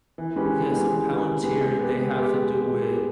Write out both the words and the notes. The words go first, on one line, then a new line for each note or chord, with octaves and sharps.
yeah, so Palantir, they have to do it
E3
G#3 C#4 G4 B4
E3
G#3 C#4 G4 B4
E3
G#3 C#4 G4 B4
E3
G#3 C#4 G4 B4
G#3
B3 G4
G#3
B3 G4
G#3
B3 G4
G#3
B3 G4